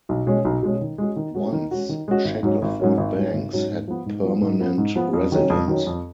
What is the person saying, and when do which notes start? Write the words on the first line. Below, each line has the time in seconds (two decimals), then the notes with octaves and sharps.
Once Shackleford Banks had permanent residents.
0.09 B1
0.27 B2 G#3 C#4
0.45 B1
0.63 B2 G#3 C#4
0.81 D#3
0.98 G#3 C#4 F#4
1.16 D#3
1.34 G#3 C#4 F#4
1.52 D#3
1.71 G#3 C#4 F#4
1.89 D#3
2.08 G#3 C#4 F#4
2.25 G#1
2.43 G#2 F#3 C#4
2.62 G#1
2.80 G#2 F#3 C#4
2.98 G#1
3.15 G#2 F#3 C#4
3.33 G#1
3.52 G#2 F#3 C#4
3.69 G#2
3.88 F3 B3
4.06 G#2
4.24 F3 B3
4.42 G#2
4.60 F3 B3
4.78 G#2
4.95 F3 B3
5.13 F2
5.32 D#3 F#3 C#4
5.50 F2
5.68 D#3 F#3 C#4
5.87 F2